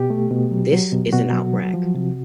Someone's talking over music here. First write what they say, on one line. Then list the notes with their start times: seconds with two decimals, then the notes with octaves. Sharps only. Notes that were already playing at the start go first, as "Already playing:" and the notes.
This is an outrag.
Already playing: B2 G4
0.10 A3
0.31 B2
0.51 F#3
0.72 F#3
0.92 B2
1.13 B2 F#4
1.33 F#3
1.53 F#3
1.74 F3
1.95 C3